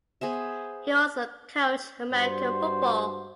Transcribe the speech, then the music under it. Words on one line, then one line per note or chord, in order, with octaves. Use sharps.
He also coached American football.
B3 G#4 C5 E5
G2 F#4 C5